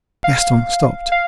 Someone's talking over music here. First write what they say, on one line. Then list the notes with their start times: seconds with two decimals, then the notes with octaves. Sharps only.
Gaston stopped.
0.24 F5
1.12 F5